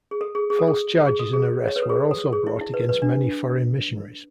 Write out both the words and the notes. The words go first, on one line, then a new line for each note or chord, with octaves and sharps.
False charges and arrests were also brought against many foreign missionaries.
G#4
A4
G#4
G#4
A4
G#4
G#4
A4
G#4
C#5
B4
A4
G#4
A4
G#4
E4
E4
B4
B4
D4